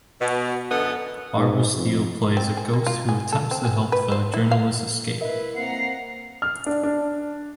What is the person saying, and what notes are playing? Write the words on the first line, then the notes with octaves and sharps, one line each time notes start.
Barbara Steele plays a ghost who attempts to help the journalist escape.
B2
F#2 D3 B3 A4 D#5
G#2
F2
C4
G#4
A#3
F4
G#4
A4
C4
G#4
B4
C5
E4
F5
E4 A#4 B4 D#5 E5
A#3 C4 F#5 A#5 C7
F6
D4
D4